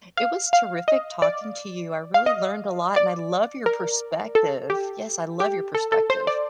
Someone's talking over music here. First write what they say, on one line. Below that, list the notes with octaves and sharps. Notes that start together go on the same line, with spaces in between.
it was terrific talking to you I really learned a lot and I love your perspective yes, I love your perspective.
F5
F5
D#5
D5
F5
D#5
D5
A#4
A4
G4
G4
A4
A4
C5
D5